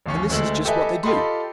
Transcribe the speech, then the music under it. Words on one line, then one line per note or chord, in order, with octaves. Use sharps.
And this is just what they do.
A1 D#2 C#4 C#6
D2 G#3 A3 E6 F#7
G4 A4 B4 D#5 E5 G#5
F4 G4 A4 D#5 B5 C6